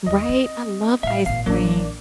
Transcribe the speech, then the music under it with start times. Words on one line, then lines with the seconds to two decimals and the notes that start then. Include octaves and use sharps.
Right, I love ice cream,
0.06 D#2 D#5
0.29 C4
1.03 A2 E5 F5
1.26 G#1 A#2 F5
1.46 A1 F#3 A#3 D4